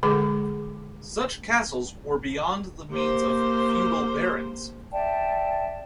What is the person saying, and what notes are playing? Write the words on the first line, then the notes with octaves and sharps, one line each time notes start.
Such castles were beyond the means of feudal barons.
D3 G#3 G#4 A4 D6
A#3 G4 C5
D5 E5 G5 A5